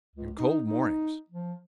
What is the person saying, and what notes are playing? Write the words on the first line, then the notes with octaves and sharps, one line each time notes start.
And cold mornings.
C#2
D#4
D#4
F3